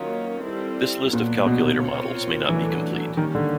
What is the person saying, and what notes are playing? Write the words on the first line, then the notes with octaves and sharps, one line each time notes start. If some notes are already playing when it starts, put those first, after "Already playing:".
This list of calculator models may not be complete.
Already playing: D#3 F#3 A#3 C#4 F4
G3 C4 E4 A4
A#2 F#3 B3 D4
B2
C4 F4 A#4 C#5
D3 E3 F#3 A3
D#3 G3 A#3 C#4
D3